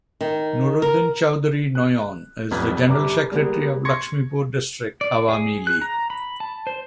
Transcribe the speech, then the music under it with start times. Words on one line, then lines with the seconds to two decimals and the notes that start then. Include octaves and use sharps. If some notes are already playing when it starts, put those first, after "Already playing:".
Nuruddin Chowdhury Noyon is the general secretary of Laxmipur district Awami League.
0.21 D#3
0.82 A#4
1.75 F#6
2.51 F1 B1 F2 B4 F6 G#6
2.88 G1 G3 B4 A#5 D6
3.31 G3 G#3 A#3 B3
3.85 C6 C#6 G#6 A#6 C#7
5.01 D5
5.28 G#4
5.67 F#6
5.81 A#5
6.10 B5
6.40 A5
6.67 C5